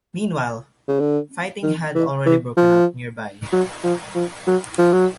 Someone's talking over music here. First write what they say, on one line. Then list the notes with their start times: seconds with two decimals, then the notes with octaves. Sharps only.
Meanwhile, fighting had already broken out nearby.
0.88 C#3
1.00 D3
1.63 D#3
1.95 E3
2.26 E3
2.57 F3
3.53 F#3
3.84 F3
4.15 F3
4.47 F#3
4.78 F3
4.92 F#3